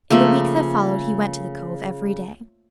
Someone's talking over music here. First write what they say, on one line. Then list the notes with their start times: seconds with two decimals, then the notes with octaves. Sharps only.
In the week that followed he went to the Cove every day.
0.10 C#3 F3 A3 A#3